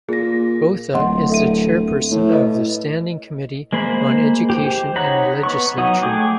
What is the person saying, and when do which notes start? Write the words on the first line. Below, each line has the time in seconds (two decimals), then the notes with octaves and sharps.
Botha is the chairperson of the Standing Committee on Education in the legislature.
0.09 A#2 G#4 A#6
0.94 D1 D#5 F#5 C6
1.30 A4 E5 D#7
2.11 A2
2.30 B4 D#5
3.73 G#3 A#3 C5 B5
4.50 G4 C5
4.96 D#4 C#5 F#5 A#5 B5
5.43 B3 C#6
5.77 F#3 D#4 F#5 D#6
6.02 A3 G#4 G5 D6